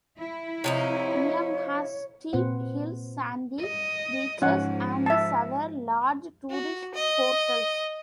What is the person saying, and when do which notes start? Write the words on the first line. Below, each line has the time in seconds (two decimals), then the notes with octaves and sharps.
Neum has steep hills, sandy beaches, and several large tourist hotels.
0.19 E4
0.64 C3 F3 D#4 C#5
2.33 A#2 C4 B4 C5 F#5
3.61 D#5
4.42 G#2 F3 C#4 F#5
5.06 E5 A5
6.50 F#4
6.94 D#5